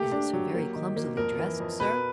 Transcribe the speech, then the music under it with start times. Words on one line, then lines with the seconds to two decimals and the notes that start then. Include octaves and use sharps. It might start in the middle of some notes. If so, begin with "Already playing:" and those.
"Is it so very clumsily dressed, sir?"
Already playing: A3 A#3 G4
0.12 D4
0.33 F#3
0.55 A#3
0.76 D#3
0.96 A#3
1.17 F2 A#4
1.39 E3
1.60 F2
1.80 B2 B4